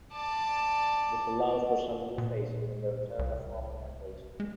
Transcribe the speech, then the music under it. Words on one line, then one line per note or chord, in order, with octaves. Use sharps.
This allowed for some new faces, and the return of former members.
D5 A5
A#2
C2
G#3